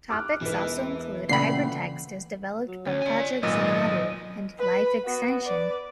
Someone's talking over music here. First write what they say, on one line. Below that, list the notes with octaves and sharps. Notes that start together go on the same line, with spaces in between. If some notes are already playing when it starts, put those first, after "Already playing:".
Topics also include hypertext as developed by Project Xanadu and life extension.
D6 F6 F#6
E1 B2 E3 B4
A#2 C#3 A3 D5 F#5 G5 B5 C7
F#3
D2 C#4
D5 G#5
G#1 A#2 F#3 B4 D#5
B4 B5
B3 F#4
B4 D5